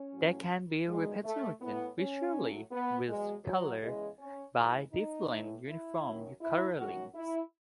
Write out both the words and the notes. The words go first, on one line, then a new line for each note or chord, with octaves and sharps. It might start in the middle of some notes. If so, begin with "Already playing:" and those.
They can be represented visually with colors by different uniform colorings.
Already playing: C#4
A2 F#3
E2 D#3 F#3 G#3
A3
A2 E3 B3
C#4
A2 F#3
B3
E2 B2 F#3 G#3
F#3
E2 C#3 E3 G#3
C#4
G#2 E3
D#4
A2 E3
E4
F#2 D#3 F#3
E4
F#2 D#3 F#3 F#4
E4